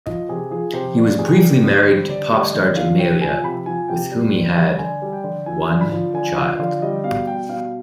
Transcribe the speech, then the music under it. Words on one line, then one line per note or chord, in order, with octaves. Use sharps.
He was briefly married to pop star Jamelia, with whom he had one child.
F3 D#5
C3 G#4
F3 G#4
C3 C5
F3 D5
C3 G#4
G3
D3
C5
G3
D3 D5
G3
D#5
D3
F3 F5
C3 G5
F3 G#5
C3 B5
F3 G#5
C3 G5
G3
D3
G3
D3 G#5
G3
G5
D3
F3 G#5
D3
B5
F3
D3 G#5
F3 F5
D3 F5
G3 D#5
B2 F5
G3 G5
B2 F5